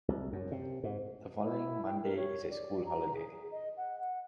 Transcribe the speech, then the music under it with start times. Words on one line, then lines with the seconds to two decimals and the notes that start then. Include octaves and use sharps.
The following Monday is a school holiday.
0.08 C2
0.33 F#2
0.52 C3
0.84 G#2
1.42 E4
1.86 G5
2.03 A#4
2.17 C#5
2.50 D5
2.85 A#5
3.15 G#4
3.51 D#5
3.77 F#5
3.99 F#5